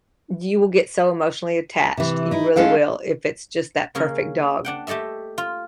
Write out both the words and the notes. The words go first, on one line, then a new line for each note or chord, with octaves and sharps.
you will get so emotionally attached, you really will, if it's just that perfect dog,
C3 E3
D#4 E4
G#3 C#4 G#4 A4 F5 G5
C#3 A#3 C#4 G#4
D4 F#5 G5
A3 G4 A4 D#5 E5
F4